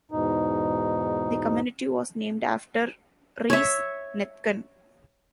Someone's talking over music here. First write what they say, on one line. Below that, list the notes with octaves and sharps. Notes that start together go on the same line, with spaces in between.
The community was named after Reese Nethken.
E2 G#2 B2 D#4
C#5 E5